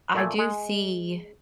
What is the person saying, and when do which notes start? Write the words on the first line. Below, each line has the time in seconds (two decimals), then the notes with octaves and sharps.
I do see,
0.15 A#2 A3 G#5
0.39 G#3